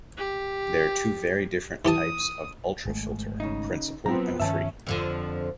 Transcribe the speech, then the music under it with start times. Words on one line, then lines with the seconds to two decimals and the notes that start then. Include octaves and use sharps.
There are two very different types of ultrafilter: principal and free.
0.17 G4
1.85 E3 G4 A5 D#6
2.86 G#1 G#3 A3
3.40 C#3 D#4
4.06 F3 F#3 B3 C4 A#5
4.40 G2 D#3 F3 C#4 E5 A5
4.87 F2 D3 F3